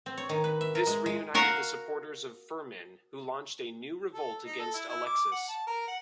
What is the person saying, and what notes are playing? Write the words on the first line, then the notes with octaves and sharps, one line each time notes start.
This reunited the supporters of Firmin, who launched a new revolt against Alexis.
C4
C#5
D#3
B4
E5
A#4
G#3
G#3
F#4 A#4 F5
A4
D#4
A4
E4
E4
D6
F#5
A5
A#4
F#5